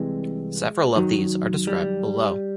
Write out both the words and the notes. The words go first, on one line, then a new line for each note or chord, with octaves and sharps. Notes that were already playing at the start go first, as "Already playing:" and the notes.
Several of these are described below.
Already playing: C2 C3 E3 G#3
F#2 D#3 F#3
G3